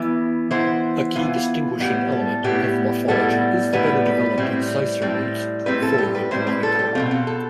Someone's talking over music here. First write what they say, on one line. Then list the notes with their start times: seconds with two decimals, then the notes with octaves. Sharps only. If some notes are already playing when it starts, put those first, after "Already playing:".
A key distinguishing element of morphology is the better-developed incisor roots for the guanaco.
Already playing: E3 B3
0.51 E3 B3 C5
1.16 E3 B3 F4
1.80 A2 G3 B3 G4
2.12 A4
2.44 A2 G3 B3 G4
3.08 A2 G3 B3 A4
3.73 A2 G3 B3 B4
4.05 B4
4.38 A2 G3 C4
5.02 A2 G3 C4
5.66 A2 G3 C4 B4
5.82 A4
5.98 G4
6.15 B4
6.31 A2 G3 C4 C5
6.47 B4
6.63 A4
6.79 G4
6.95 B2 A3 C4 F4
7.11 A4
7.27 A4